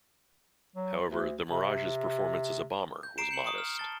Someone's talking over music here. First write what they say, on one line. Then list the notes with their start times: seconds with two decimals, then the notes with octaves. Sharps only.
However, the Mirage's performance as a bomber was modest.
0.76 F#3
1.06 D2
1.51 C3
3.03 G6
3.18 A#5 C7 D7 E7
3.31 G6 C#7 F#7
3.46 C#6 D#6
3.58 F6
3.78 A5 A6 G7